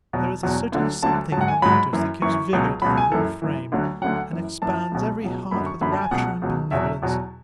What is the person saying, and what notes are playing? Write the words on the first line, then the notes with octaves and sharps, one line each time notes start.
There is a certain something in the waters that gives vigour to the whole frame, and expands every heart with rapture and benevolence.
E2 B2 F#3
E2 B2 F#3
D2 D3 F#3
D2 D3 F#3 A5
G#2 F#3 F#5 A5
G#5
G#2 F#3 B5
F#2 E3
F#2 E3 C#6
C#2 B2 F#3
C#2 B2 F#3 B5
G#5
F#2 E3 A4
F#2 E3
D2 D3 F#3
D2 D3 F#3 F#5
F#2 E3
F#2 E3 A5
C#2 B2 F#3
C#2 B2 F#3
F#2 D3 F#3 B5
C#6
F#2 D3 F#3 B5
A5
G#5
C#2 B2 F#3 F#5
C#2 B2 F#3
E2 B2 F#3 E5
E2 B2 F#3